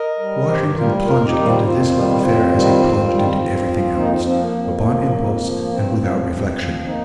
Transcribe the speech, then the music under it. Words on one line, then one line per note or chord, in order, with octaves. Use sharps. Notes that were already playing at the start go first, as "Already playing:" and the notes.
Washington plunged into this love affair as he plunged into everything else--upon impulse and without reflection.
Already playing: A#4 D#5
G3
G2 G4 C5
G3 F4 A#4
F2 F4 A#4
D#4 G4
D#3 G3
C4 F4
F2 C4 F4
D#3 G3
F2 C4 F4
D#3 G3
F2
D#3 G3
F2
F3
F2 A#3 D#4
C4
F3 C4
A#3
F2
F3
F2
F3
G2 C4
F3
G2
F3
A#3 D#4